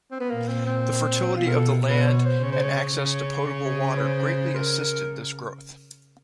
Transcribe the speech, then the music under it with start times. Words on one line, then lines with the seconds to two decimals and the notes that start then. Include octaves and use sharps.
The fertility of the land and access to potable water greatly assisted this growth.
0.11 C4
0.20 B3
0.30 A#2 A#3
0.48 C4
0.66 C4
1.36 B2 F4
1.48 A#4
1.54 A4
1.89 B2 B4
2.01 C5
2.08 C#5
2.25 C5
2.43 C#3 C#5
2.52 C5
2.63 C#5
2.96 C#3
3.97 B4
4.02 C5
4.55 A#4